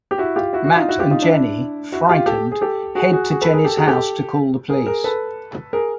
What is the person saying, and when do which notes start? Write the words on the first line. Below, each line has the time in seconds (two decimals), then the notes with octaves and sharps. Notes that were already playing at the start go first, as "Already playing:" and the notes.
Matt and Jenny, frightened, head to Jenny's house to call the police.
0.11 G4
0.18 E4 F#4
0.36 F4 G4
0.53 E4 F#4
0.64 E4 F#4
0.76 D#4 F4
0.89 E4 F#4
1.00 F4 G4
1.11 D#4 F4
1.22 D4 E4
1.92 E4 F#4
2.09 F4 G4
2.26 G4 A4
2.52 G#4
2.61 G4 A4
2.95 F#4 G#4
3.13 F#4 G#4
3.30 F#4 G#4
3.42 A4 B4
3.53 G#4 A#4
3.65 G4 A4
3.77 F#4 G#4
3.88 G4 A4
4.70 G#4 A#4
4.87 G#4 A#4
5.04 A4 B4
5.73 G#4 A#4